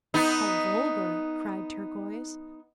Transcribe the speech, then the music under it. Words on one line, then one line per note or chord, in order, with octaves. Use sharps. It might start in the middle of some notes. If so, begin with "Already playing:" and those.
"How vulgar!" cried Turquoise.
B3 D#4